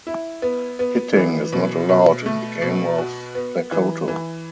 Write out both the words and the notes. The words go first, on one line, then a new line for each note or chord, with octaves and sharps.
Hitting is not allowed in the game of Plakoto.
E4
B3
B3
E3
B2
B2
A3
B2
F#4
B3
E3
E3